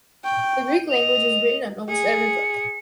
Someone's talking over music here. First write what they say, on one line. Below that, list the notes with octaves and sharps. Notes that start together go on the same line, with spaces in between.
The Greek language is written on almost every book.
G5 C#6
D#5 F7
G#4 C#7